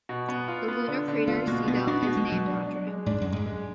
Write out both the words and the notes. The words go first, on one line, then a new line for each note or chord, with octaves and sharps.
The lunar crater Seidel is named after him.
B2
B3
F4
B3
D3
D3
B3 F4
B2 A#3
B2 B3
B2 D4
B2 B3
G#3
B2 F#3
D4
D4
G#3
G#2 D4
F#2 G#3
G#2
G#3